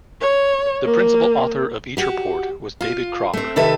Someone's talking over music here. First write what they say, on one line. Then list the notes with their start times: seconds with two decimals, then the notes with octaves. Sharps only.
The principal author of each report was David Crawford.
0.21 C#5
0.85 A#3
1.97 F#4 G4
2.81 F4
3.33 A3 C4
3.56 C3 D#3 A4 B4 E5